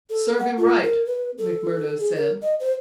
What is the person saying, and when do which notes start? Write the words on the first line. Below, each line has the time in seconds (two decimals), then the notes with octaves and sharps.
"Serve him right," Macmurdo said.
0.10 A4
0.39 F#5
0.57 F4
0.83 A#4
1.06 B4
1.38 A4
2.00 G#4
2.16 A#4
2.42 D#5
2.60 C5